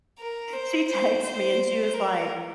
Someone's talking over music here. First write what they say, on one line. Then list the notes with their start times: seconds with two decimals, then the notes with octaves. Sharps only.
she texts me, and she was like,
0.19 A#4
0.53 C5
0.89 C5
1.23 C5
1.94 A#4